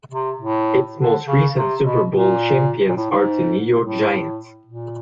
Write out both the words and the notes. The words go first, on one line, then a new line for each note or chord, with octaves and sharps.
Its most recent Super Bowl champions are the New York Giants.
C3
A2
D3
C#3
C3
B2
A#2
A#2
A2
G#2
A2
A#2